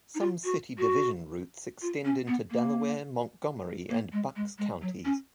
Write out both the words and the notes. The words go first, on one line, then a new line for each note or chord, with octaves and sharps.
Some city division routes extend into Delaware, Montgomery and Bucks counties.
D#4
F4
F#4
F#4
F4
C#4
B3
A#3
A#3
G#3
G#3
G#3
F#3
C#4